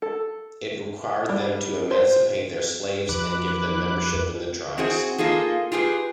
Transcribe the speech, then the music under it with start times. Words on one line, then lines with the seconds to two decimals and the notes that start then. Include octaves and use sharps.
It required them to emancipate their slaves and give them membership in the tribes.
0.02 A4
1.29 G3
1.91 C5
3.09 F2 B4 D6 F#6
4.78 C4 E4 F#4 G#4
5.18 A#3 D#4 F4 G#4 A4
5.72 F4 G4 G#4 B4